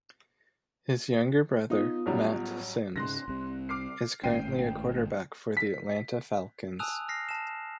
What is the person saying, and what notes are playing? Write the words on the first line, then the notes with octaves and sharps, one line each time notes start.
His younger brother, Matt Simms, is currently a quarterback for the Atlanta Falcons.
B3 D#4 F4 D#6
A1 F#3 G3
G#2 C#3 G#3 C6 F#6 A#6
C2 C3
D6 F6 C7
G#1 A2 C#4 G5 C7 D#7
B6
G#5 A5 D#6 E6 F#6 F7
F6 A#6 C7
A5 E7